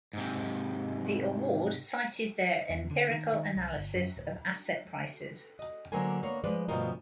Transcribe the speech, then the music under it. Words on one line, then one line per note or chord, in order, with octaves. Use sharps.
The award cited their empirical analysis of asset prices.
G#2 C3
E2
D3
D#3
D#3
C2
G1
F#2
D1
D#5
D3 F#3 A#3 A#4 C5 G#5
A#3 B3 C#5
F3 G#3 B4 D5
D2 G2 B2 F3 A#4 D#5